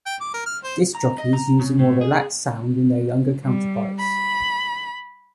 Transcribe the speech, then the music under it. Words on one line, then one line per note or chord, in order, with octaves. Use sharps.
Disc jockeys use a more relaxed sound than their younger counterparts.
G5
D6
A#4
F6
C5
A#5
D#5
A#5
C#3
A2
G#4
G3
B5